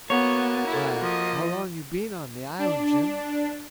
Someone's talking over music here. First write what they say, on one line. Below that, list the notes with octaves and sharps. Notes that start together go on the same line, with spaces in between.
"Why, how long you been on the island, Jim?"
A#3 B3 F#4 C#5
E4 A4
F3 D#5
D4